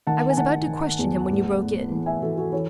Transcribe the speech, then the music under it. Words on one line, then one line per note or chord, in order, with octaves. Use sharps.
I was about to question him, when you broke in.
D#3 F#5 A5
G#5
D#3 F#5 A5
D#3
E2
A2
A2
E3
E5 G#5
E3 F#4 A4
F#4 A4
E3 A4 C#5